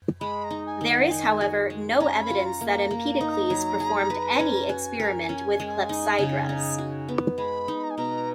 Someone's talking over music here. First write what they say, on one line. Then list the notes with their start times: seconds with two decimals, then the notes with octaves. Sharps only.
There is however, no evidence that Empedocles performed any experiment with clepsydras.
0.21 G#3 B5
0.44 A#5
0.51 D#4
0.66 G#5
0.81 D#3
0.88 F#5
1.10 D#4 G#5
1.41 F#4
1.70 G#3
2.00 C#4 A#5
2.23 B5
2.30 F4
2.46 A#5
2.61 A#3
2.68 A#5
2.91 A#3
3.21 D#4
3.50 F#3
3.80 G#4
4.10 B4
4.39 C#4
4.69 F#4 G#5
5.00 A#4
5.29 C#4
5.60 G#3
5.89 D#4
6.19 C#3
6.49 D#4
6.78 F#4
7.09 B3
7.38 G#3 B5
7.68 D#4
7.84 A#5
7.91 G#5
7.98 B2 A#5